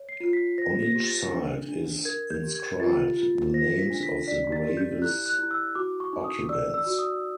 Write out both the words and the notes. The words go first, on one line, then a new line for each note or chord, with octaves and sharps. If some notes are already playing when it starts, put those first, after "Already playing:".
On each side is inscribed the names of the grave's occupants.
Already playing: C#5
C7
F4
B6
C5 A#6
A#6
G4
A6
D4
D4
A#4 G#6
G6
G4
G#6
F4 A6
F4
C5 A#6
B6
D4
B6
D5 B6
A6
G4
G6
E4 F#6
F#6
E4
E6
F#4 D6
C#6
D#4
D#6
D5 E6
E6
F#4
D#6